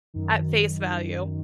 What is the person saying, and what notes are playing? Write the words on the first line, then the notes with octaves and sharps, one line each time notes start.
At face value.
F#2 D#3